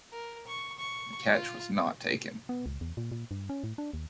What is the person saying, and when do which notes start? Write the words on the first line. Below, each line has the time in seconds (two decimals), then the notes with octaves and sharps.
The catch was not taken.
0.12 A#4
0.47 C#6
0.78 C#6
1.31 F4
2.49 B3
2.66 C#2
2.81 E2
2.97 A#2
3.12 A#2
3.31 G2
3.49 C#4
3.64 A2
3.78 D4
3.94 D#2